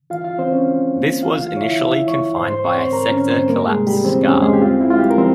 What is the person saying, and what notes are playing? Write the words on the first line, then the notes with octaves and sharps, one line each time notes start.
This was initially confined by a sector-collapse scar.
E3 F4 F5
F4 F5
E3 C4 C5
C#4 C#5
E3
A#3
E3 F4 F5
F4 F5
E3
C#5
E4 E5
E3 E4 E5
E3 C#5 C#6
G#2 C5 C6
C5 C6
C4 C#5 C#6
C5 C6
G#2 A#4 A#5
C#4 C#5
G#2
C4 C5
G3 A#3 A#4
G#3 G#4
C3
G3 G4
E3 C4 C5
C#4 C#5
E2
G#3 G#4
G4
C4 F4
E4
G#3 F4
G3 G4
A#4
F3 C4 C5